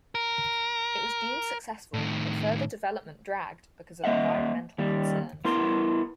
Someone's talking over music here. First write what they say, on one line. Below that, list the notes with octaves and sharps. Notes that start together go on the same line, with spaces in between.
It was deemed successful, but further development dragged because of environmental concerns.
A#4
A2 D#3
A#3 D#5 E5 F#5
D#2 G3
B3 E4 A#4 C6